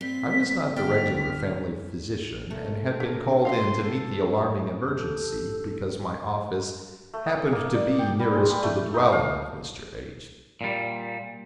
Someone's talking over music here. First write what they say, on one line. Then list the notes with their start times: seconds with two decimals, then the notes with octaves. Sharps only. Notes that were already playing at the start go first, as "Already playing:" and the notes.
I was not the regular family physician, and had been called in to meet the alarming emergency, because my office happened to be nearest to the dwelling of Mr. H--.
0.01 G2 C4 F4 B6
0.76 D3 B3 D5 G5 F6 B6
2.51 A3 A#4
3.00 D3 G4 A#4
3.45 F#2 D4 D#5 F5 C6
3.83 D2 A4
4.88 G4 A4
7.14 A3
7.26 D#6
7.52 A#3
7.74 D5
7.99 G5
8.20 G3
8.33 G#3
8.49 G3
8.63 A3
8.94 D#4
9.12 F5
10.61 A#2 G3